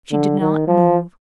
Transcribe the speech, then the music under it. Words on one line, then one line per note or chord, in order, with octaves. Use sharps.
She did not move.
D3
D#3
F3